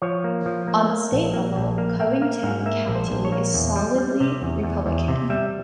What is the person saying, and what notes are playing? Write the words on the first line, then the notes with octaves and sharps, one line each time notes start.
On the state level, Covington County is solidly Republican.
F3 C#5
A#3
F3
A#3
A#3
A#1
A#3
A#1
A#3 F5
A#3 G5
A#3 F5
G#2 F5
A#3 E5
A#1
C5
A#1
C#5
A#3
E2
G3
G3
C3
E2
E2
E2
C3
G3 E5